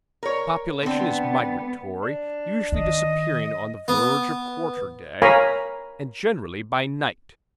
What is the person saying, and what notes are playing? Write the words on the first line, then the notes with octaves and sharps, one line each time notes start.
The population is migratory, usually disappearing on the verge of quarter-day, and generally by night.
A#4 C#5
D3 B3 C4
D4
D#3 D#5
B3
A#4 C#5 F5 G#5 A#5 B5